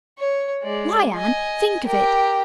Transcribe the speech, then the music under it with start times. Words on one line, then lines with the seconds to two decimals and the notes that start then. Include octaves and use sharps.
Why, Anne, think of it!
0.18 C#5
0.63 G#3 D5
1.14 D#5 G#5
1.85 G4 A#4